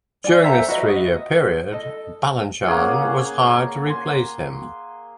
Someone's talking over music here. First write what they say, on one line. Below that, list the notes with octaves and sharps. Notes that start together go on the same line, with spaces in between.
During this three-year period, Balanchine was hired to replace him.
D5 G#5
A4 C5 E5 A#5
F#4 B4 D#5 E5
D#5
A4 D#5
A#3 C#4 G#4 F#5
G#5 C6